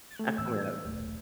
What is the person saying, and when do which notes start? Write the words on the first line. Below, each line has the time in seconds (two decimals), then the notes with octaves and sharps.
I don't know.
0.19 A3
0.38 A2 E3 C4 E6
0.85 D#1 B1 A3